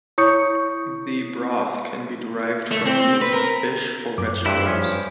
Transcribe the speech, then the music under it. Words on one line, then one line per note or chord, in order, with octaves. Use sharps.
The broth can be derived from meat, fish, or vegetables.
E4 C#5 C#6 D#6 G6 C#7
A3
C4
B4
A#4
F#2 D6
G2 E4 B4 C5
F3 C#4